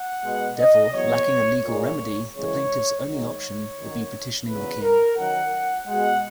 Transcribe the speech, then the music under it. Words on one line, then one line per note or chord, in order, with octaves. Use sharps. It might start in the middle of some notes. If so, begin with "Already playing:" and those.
Therefore, lacking a legal remedy, the plaintiff's only option would be petitioning the King.
Already playing: F#5
B2 G#3
D#5
E2 B2 F#3 C#5
A#2 G#3 C#5
F#2 C#3 E3 G#3 C#5
G#2 D#3 F#3 C#5
F#2 D#3 F#3
E2 C#3 F#3 B4
A#4
F#2 D#3 F#3 F#5
B2 G#3 F#5